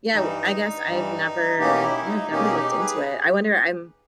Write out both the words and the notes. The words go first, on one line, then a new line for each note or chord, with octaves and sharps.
yeah, w I guess I've never yeah, I've never looked into it, I wonder I'm
G2 E3 G3 D#4
G2 E3 G3
B2 A#3 C#4 D#4 G4
E4
D#4
B2 A#3 C#4 D#4 G4
G#4
D#4 G4
G#4 B4